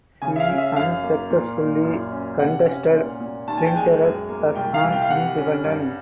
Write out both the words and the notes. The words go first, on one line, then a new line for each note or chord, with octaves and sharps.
She unsuccessfully contested Flinders as an independent.
C#3 G#5
E5
F5
C#4
E5
F#2 F5
A#3
A#2
A#2
F#2
C#4
C3 F#5
C#4
A#2
A#2
D#2 A5
G#5
G5
G#3 G#5
F#2
A#3
C2 G5
F5
C2
G5
F5
C3 F#5
C#4
G2